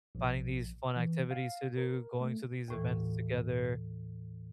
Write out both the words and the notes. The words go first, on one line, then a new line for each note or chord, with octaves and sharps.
finding these fun activities to do, going to these events together,
A#1
E3
F5
A#4
A3
D#2 A2 E3